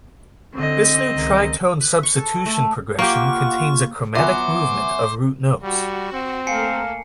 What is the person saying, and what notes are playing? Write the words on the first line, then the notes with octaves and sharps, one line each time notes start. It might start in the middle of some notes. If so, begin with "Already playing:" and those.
This new tritone substitution progression contains a chromatic movement of root notes.
D3 C4 D#5
C#2 D#3
B4
C#6
A4
A3
A#3 F4 G4 F#5 C#6
F#3 B3 C5 E5 G#5 D6
G3 F#4
C4
A3 A#3 A4 F5 G#5 C7 C#7